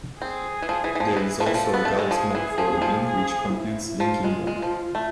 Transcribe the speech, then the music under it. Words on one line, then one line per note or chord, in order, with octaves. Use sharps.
There is also a Gauss map for a link, which computes linking number.
C4 G#4
E3
F3
E3
E3
F3
E3
F3
E3
F3
A4
B3
A3
G#3
F3 G#4
E3
F3
F3
G#4
E4
F3 F4
G#3
G#3
F3
A3